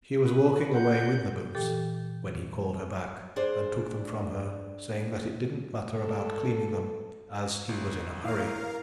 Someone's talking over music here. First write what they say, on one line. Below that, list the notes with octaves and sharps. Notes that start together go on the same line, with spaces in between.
She was walking away with the boots, when he called her back and took them from her, saying that it didn't matter about cleaning them, as he was in a hurry.
B4
F#5 G6
A#2 E3 G4 A4 G5
D4 G#4 C5 D5
A4
G1
E4 A#4 F5